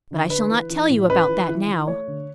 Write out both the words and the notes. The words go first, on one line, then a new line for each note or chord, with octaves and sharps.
But I shall not tell you about that now.
D3
D4 B4
E3
E3
A2
C#4 B4
E3
E3
E3
A3 C#5
D3